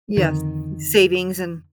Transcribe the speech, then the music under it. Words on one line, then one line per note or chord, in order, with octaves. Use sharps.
Yes, savings and
F2 D3 D#3